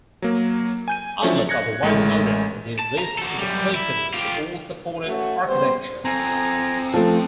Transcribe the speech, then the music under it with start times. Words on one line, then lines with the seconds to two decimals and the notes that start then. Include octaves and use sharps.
Unless otherwise noted, this list is applicable to all supported architectures.
0.22 F#3 A#3
0.88 G#5 G6 D#7
1.22 F3 F#3 C#4 D4 C#5 E5
1.49 F#6 G#6 A#6 C#7
1.83 A1 G#3 A3 E4 A#4
2.79 A5
2.98 A#5
3.18 F#4 A4
3.38 F#2 G3
3.74 E4
4.14 F4 G4
5.07 A3 C#4 F#4
5.46 G3 B3 C5
6.05 C4 A4 G#5 A#5
6.94 F3 A3